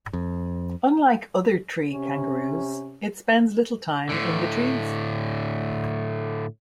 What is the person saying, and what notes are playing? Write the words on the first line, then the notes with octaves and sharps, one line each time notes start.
Unlike other tree kangaroos, it spends little time in the trees.
F2
C3 C#4
A2 D3